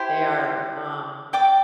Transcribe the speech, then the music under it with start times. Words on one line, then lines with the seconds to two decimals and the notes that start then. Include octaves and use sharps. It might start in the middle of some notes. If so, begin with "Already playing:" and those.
They are, um,
Already playing: E4 G4 C5
1.33 D5 G5 D6